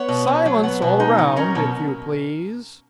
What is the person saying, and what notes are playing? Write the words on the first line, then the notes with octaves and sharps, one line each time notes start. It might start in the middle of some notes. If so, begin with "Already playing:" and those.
Silence all round, if you please!
Already playing: B3 C#5
B2
B2
F#3
B3
B2
D#4
F#3
C#4 A#4
B2